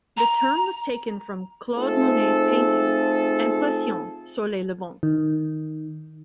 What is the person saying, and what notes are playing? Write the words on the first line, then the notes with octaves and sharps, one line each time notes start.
The term was taken from Claude Monet's painting "Impression: soleil levant".
A#5
A3 C4 D#4 F4 G#4 A4
D#3